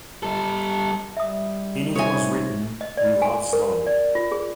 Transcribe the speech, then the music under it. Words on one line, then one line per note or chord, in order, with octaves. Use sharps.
In it was written: "We love Slough".
G3 A4
G3 E5 D#6
C3 D#4 A#4 C5 C#5 E5 G#5
D#5
D5
G#5
A#4
D5
F4
G#4